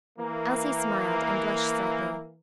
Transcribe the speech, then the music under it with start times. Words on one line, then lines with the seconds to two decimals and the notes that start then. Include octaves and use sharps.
Elsie smiled, and blushed slightly.
0.18 E3 A#3